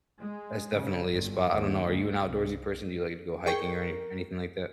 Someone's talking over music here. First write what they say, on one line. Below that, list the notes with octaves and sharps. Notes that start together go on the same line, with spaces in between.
that's definitely a spot. I don't know, are you an outdoorsy person? Do you like to go hiking or any anything like that?
G#3
C#3
G1
D#2
D2
C2
G#4 A#4 G5 C#6